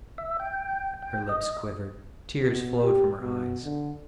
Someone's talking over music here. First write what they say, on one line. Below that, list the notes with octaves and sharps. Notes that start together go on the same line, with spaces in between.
Her lips quivered, tears flowed from her eyes.
E5
G5
G5
D#5
B2
G4
B2
D3